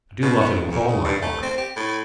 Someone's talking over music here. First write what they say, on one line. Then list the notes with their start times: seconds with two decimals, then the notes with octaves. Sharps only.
I do love him with all my heart.
0.22 B2
0.41 B3
0.54 G#2
0.71 F2
0.88 C#3
1.05 G2
1.22 A3
1.43 C4
1.58 G4
1.76 A2